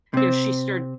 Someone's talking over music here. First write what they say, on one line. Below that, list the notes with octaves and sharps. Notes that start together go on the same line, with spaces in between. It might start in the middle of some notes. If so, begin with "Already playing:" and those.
you know, she started
C3 C4